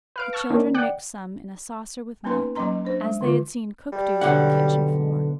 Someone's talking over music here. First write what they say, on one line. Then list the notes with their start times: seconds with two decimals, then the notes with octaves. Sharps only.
The children mixed some in a saucer with milk, as they had seen cook do for the kitchen floor.
0.16 B4 F5 D7
0.33 A5 C#6 E6 F6
0.50 D#3 A#3 C#4 D4
0.74 D5 F#5 G5
2.24 A#3 B3 C#4 D#4 B4 C6
2.55 F#3 A#3 C#4 D#5 A#5 C6
2.85 D4 C5
3.01 G#3
3.21 D3 D#3 F4
3.93 G3
4.21 B1 D3 F#5